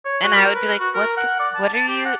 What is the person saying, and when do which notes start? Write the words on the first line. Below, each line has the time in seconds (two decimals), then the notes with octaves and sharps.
And I would be like, "What the what are you
0.05 C#5
0.23 F#4
0.36 A#4
0.55 B4
0.80 F#4
0.94 A#4
1.17 F#5
1.39 D5
1.55 A5
1.73 A5
1.88 G4
2.05 F#5